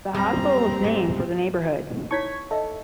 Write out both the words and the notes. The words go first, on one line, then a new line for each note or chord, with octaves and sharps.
The hospital was named for the neighborhood.
C#2 F#2 G3 C4 A#5
G#2
D#4 E4 C#5 C#6 G#6 B6
A4 D#5 E5